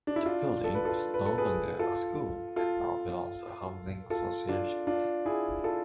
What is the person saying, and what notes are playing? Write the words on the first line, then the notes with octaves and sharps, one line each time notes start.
The building is no longer a school and now belongs to a housing association.
D4
E4
D4 F4
A4
B4
F4 A4
B4
A4
G#4 B4
F4 A4
F4 A4
F4 A4
D4 F4
D4 F4
E4 G#4
F4 A4